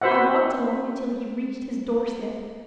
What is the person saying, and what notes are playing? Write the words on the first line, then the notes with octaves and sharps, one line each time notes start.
I walked along until he reached his door step.
F#4 B4 C5 E5 F#5